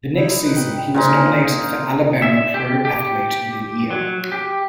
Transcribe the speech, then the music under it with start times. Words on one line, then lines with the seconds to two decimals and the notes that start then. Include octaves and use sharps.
The next season, he was nominated for Alabama Pro Athlete of the Year.
0.15 D#4 E4
0.43 D#4 B4
0.56 G5
0.94 A#2 F3 D#4
2.22 E5
2.54 G4
2.85 G4
3.91 F#3
4.32 G4